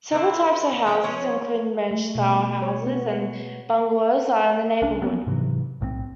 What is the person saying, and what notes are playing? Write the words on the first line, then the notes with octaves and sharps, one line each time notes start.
Several types of houses, including ranch-style houses and bungalows, are in the neighborhood.
D3 C4 E4
F3 C#4 D#4 G5
F3 C#4 C#5
A3
B2
C#5
B3
C2 C#4 D4
F3 A#3 B3 C#4
G#2 C3 E3 F#3
B1 A2 G3 C4